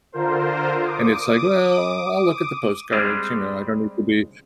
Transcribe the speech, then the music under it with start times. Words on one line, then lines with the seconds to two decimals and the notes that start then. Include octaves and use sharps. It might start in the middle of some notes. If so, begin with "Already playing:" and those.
And it's like, well, I'll look at the postcards, you know, I don't need to be
0.12 D3 F4 A#4 C5
0.83 D6 D#6
2.91 G3 G#3 C4 D4